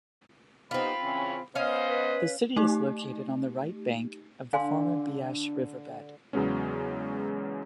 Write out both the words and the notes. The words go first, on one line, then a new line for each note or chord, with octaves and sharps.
The city is located on the right bank of the former Beas River bed.
B3 C4 D#4 F4 G4 B5
C#3 E3 C#4
B3 C#4 C5 D#5 F5
B4
A3 D#4 G4
D3 D4 F5 G#5 C6
E2 C#3 F#3 G#3 B3 C#4